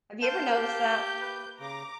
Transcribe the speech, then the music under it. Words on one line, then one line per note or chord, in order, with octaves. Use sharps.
Have you ever noticed that?
A#3 C5 F5 A5 G6
G4
B4
C#3 A#5 D6